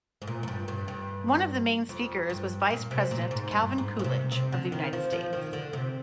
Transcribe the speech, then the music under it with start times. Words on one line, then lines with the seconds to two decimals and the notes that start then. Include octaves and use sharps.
One of the main speakers was Vice President Calvin Coolidge of the United States.
0.22 G#2
0.27 A#2
0.43 F2
0.48 G2
0.68 G2
0.88 G2
1.89 F2
2.30 G2
2.70 A#2
2.91 C3
3.11 A#2
3.31 G#2
3.51 G2
3.78 G#2
3.99 A#2
4.04 C3
4.32 C3
4.52 D3
4.72 D#3
4.93 F3
5.12 F3
5.33 D#3
5.53 D3
5.73 C3